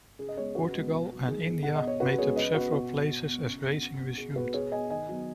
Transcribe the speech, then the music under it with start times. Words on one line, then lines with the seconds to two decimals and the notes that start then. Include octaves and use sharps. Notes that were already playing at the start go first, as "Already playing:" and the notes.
Portugal and India made up several places as racing resumed.
0.19 C#3 G#4
0.28 D#5
0.37 G#3 B3 G#4 C#5
0.55 C#3 F#4 B4
0.74 G#3 B3
0.91 B2
1.10 F#3 B3
1.27 D#3 G#4
1.46 B3
1.63 B2 F#5
1.76 D#5
1.82 B3
1.87 C#5
2.00 C#3 F#4 B4
2.18 G#3 B3 G#4 C#5
2.36 C#3 B4 D#5
2.54 B3 F#4 B4
2.72 B2 F#4
2.91 B3
3.09 B2
3.27 B3
3.45 C#3
3.64 B3
3.81 C#3
3.99 B3
4.18 B2 G#4
4.36 B3 F#4 B4
4.54 B2 G#4 C#5
4.72 B3 D#5 G#5
4.90 D#3 D#5 G#5
5.08 F#3 B3